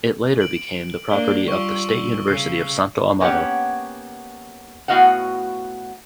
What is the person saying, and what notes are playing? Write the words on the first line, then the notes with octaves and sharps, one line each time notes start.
It later became the property of the State University of Santo Amaro.
D7 F#7
A#3 D4 G7
G3 F4 C#6 E6
F#7
C#3 C7
A#3 B3 C#4 G4 C#5 F#5
A2 B3 F#4 D#5 F5 F#5